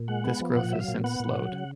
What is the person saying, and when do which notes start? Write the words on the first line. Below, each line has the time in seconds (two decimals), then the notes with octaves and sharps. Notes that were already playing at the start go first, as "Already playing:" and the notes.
This growth has since slowed.
Already playing: A#2
0.08 G#3 F#5
0.24 B3
0.40 F3
0.56 A#2 F#5
0.72 F#3 E5
0.80 F5
0.88 A#2
1.04 B3 F#5
1.20 A#2
1.35 F#3
1.52 C#3